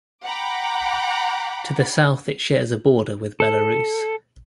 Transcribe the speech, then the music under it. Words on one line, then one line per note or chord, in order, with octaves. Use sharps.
To the south it shares a border with Belarus.
F#5 G5 A#5 B5 D6
A4